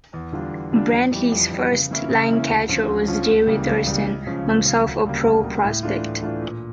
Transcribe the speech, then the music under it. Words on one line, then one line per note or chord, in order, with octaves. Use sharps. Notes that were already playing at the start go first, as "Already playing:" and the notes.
Brantley's first line catcher was Jerry Thurston, himself a pro prospect.
E2
D3 G3 D4 F4
E2
D3 G3 D4 F4
F2
E3 G3
F2
E3 G3
C#3
E3 A#3 C#4 E4
C#3
E3 A#3 C#4 E4
D2
D3 F3 C#4 F4
D2
D3 F3 C#4 F4
C#2
C#3 E3 G3 A#3
C#2
C#3 E3 G3 A#3
C#2
C#3 F3 C#4
C#2
C#3 F3 C#4
D2
C#3 G3 A#3
D2
C#3 G3 A#3
A2
E3 A3 D4 F4
A2
E3 A3 D4 F4
A#2